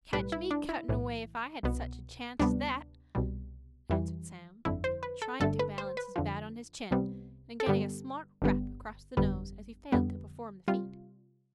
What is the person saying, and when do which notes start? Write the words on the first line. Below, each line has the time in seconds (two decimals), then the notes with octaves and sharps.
"Catch me cuttin' away if I had such a chance as that!" answered Sam, trying to balance his bat on his chin and getting a smart rap across the nose as he failed to perform the feat.
0.13 B1 A2 G3 B4
0.32 E4
0.51 D4
0.69 E4
0.89 B1 A2 E3
1.63 C2 B2 B3
2.40 D2 C3 G3 B3 D4
3.15 C2 B2 G3
3.90 F2 E3 G3
4.65 G1 F2 D3 E4
4.84 C5
5.03 B4
5.22 A4
5.40 G1 G2 D3 A3 A4
5.59 B4
5.78 C5
5.97 B4
6.16 F2 D3 F3
6.91 C2 C3 G3 B3
7.60 A4
7.66 G2 D3 G3 B3 G4
8.42 G1 G2 D3 G3 B3
9.17 G1 F2 D3 G3 B3
9.92 F2 D3 G3 B3
10.68 C3 G3 F4